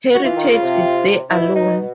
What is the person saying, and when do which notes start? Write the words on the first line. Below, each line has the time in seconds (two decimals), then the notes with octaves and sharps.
Heritage is there alone.
0.15 F#4
0.24 E3 F4
0.37 D#3
0.50 C#3
0.63 C3
1.30 B2 E4
1.55 D#4